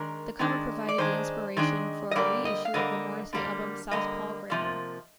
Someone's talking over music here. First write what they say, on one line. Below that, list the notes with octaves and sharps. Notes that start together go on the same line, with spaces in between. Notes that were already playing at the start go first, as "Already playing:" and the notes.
The cover provided the inspiration for a re-issue of the Morrissey album, Southpaw Grammar.
Already playing: D#3 G#3 D4 A#4
D#3 G#3 D4
D5
D#3 G#3 D4 C5
D#3 G#3 D4
D#5
D3 G3 A#3 D5
D#5
F5
D3 G3 A#3 D#5
D3 G3 A#3
D3 G3 A#3 D#5
C3 F3 A#3